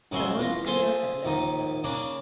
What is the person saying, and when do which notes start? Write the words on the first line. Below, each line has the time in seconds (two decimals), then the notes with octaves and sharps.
Peronskaya had left them.
0.12 A#1 C#3 F#4 E5 C6
0.39 E2 F4 A#5
0.66 F4 G#4 A4 C5 C6
1.25 A#1 D#2 D#4
1.84 C#3 A#3 D4